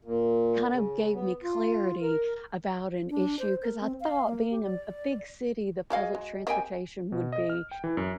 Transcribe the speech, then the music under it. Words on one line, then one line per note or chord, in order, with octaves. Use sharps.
kind of gave me clarity about an issue, 'cause I thought being a m a big city, the public transportation would be
A#2
C#3
B3
F4
A#4
D4
C5
A#4
C4
F5
A#3
G4
D5
F3 G#3 F#4 G#4 D#5 F5
G#3
A#3 C4 G4 D#5 G5 G#5
B2
D#5
F6
G5
E3
F#2